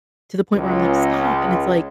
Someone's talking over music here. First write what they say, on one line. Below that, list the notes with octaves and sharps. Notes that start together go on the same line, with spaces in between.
to the point where I'm, like, "Stop." And it's, like,
C#2